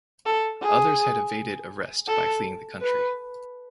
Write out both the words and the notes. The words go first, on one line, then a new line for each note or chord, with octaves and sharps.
Others had evaded arrest by fleeing the country.
A4
G#4
A4
B4